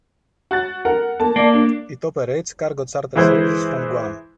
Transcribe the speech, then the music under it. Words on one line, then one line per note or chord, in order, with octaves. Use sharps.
It operates cargo charter services from Guam.
F#4 F#6 A6
A#4 F#5
A#3 A5
A#3 D5
D4
E3 G#3 E4 G#4 B4 C5